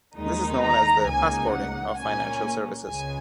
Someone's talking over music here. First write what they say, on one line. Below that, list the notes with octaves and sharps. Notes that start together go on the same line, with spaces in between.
This is known as the "passporting" of financial services.
D#2 D#3 G#3 D#4
A#5
C#2 C#3 A#3 D#4 G#5
F#5
A#2 A#3 C#4 G#5
C#2 C#3 G#3 G#5